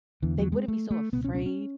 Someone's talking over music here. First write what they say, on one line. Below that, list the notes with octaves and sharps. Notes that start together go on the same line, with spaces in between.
they wouldn't be so afraid
E2 D3 E3
F#3
G#3
A3
A3
C#2 B2 B3
C#4
C#4
C#4